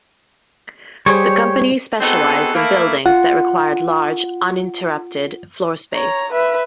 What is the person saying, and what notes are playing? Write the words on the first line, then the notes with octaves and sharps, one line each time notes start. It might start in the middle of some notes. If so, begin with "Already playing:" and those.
The company specialized in buildings that required large, uninterrupted floor space.
G3 G4 G#4 C5 C#5
B3 C4 D#4 F#4 G#4 A4
A3 A#3 E4
F4 F#5
C#5 A#5
B4 E5